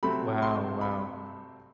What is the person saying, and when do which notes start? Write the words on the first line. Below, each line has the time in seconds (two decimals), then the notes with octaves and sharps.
Wow, wow.
0.03 C3 F#3 A3 C4 B5
0.42 C6
0.81 B5